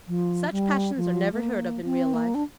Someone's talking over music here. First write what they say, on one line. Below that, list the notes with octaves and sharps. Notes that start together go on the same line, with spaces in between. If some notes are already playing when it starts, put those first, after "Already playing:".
Such passions are never heard of in real life.
F3
G3
F3
A3
A#3
C4
A#3
D4